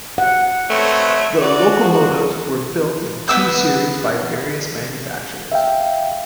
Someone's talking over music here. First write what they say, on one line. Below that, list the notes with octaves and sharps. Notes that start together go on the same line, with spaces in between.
The locomotives were built in two series by various manufacturers.
F#5
A3 C4 B4 C#5
F#4 D5
F3
B3 C4 E6 G6
E5 F5 G5